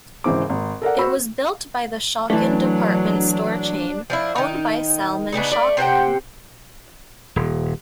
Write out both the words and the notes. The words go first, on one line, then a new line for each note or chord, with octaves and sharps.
It was built by the Schocken department store chain owned by Salman Schocken.
G#1 C#3 E3 C4 D6
G#1
A4 A#4 D5 F#5
F#4 C5 B5 E6
E3 F#3 A3 D4
F3 D4 E4
D#3 D#4
C#3 B3 D4 D#4
A3 D5
C3 C5 F#5 G5
D#1